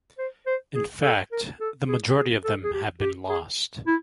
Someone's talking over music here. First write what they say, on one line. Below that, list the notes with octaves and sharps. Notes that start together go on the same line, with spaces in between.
In fact, the majority of them have been lost.
C5
C5
G#4
A4
A#4
A4
G#4
G#4
A4
G#4
G4
G4
G#4
E4